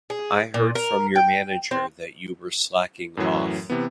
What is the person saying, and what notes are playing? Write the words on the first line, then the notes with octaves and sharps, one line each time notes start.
I heard from your manager that you were slacking off.
G#4
A#2
A#4
G5
C4
F#2 A2 E3 F#3
C3 E3 B3